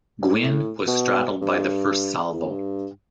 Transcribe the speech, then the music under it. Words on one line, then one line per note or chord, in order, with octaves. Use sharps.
"Gwin" was straddled by the first salvo.
G2
A2
B2
G2
E2
F2
G2